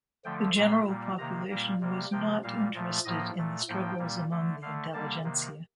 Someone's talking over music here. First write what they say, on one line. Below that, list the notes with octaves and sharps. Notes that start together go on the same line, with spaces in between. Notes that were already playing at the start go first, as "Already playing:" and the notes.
The general population was not interested in the struggles among the intelligentsia.
D3 F3 A3 G5
A#2 G3 A#3 C6
A#2 G3 A#3
C3 D#3 A#3 A#5
A#2 G3 A#3 A#5
C3 G3 A#3
C3 F3 A#3 G5
A#2 G3 A#3 F5
A#2 F3 A3
A2 F3 A#3 D#5
A#2 A3
A2 F3 A#3 G5
A#2 G3 A#3
D3 A3
D3 A3 F5
D3 G3 A#3 A5
C3 D#3 A#3